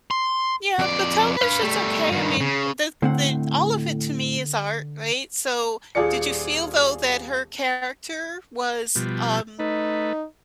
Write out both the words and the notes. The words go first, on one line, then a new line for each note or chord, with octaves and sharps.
Yeah, but television's okay, I mean, the the all of it, to me, is art, right? So, did you feel, though, that her character was, um,
C6
F2 D5
B4 F5
G3 A3
G2 D#3
C#3
A2 D3 C4 F#5
D#1 F4 G#4 D5 C#7
B2 F3 G3
A3 D#4 B4